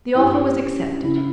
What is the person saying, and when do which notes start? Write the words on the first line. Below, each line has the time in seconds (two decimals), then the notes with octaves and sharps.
The offer was accepted.
0.15 E4
0.19 G2 G4
0.61 C#4
1.03 C#3 E4
1.17 E4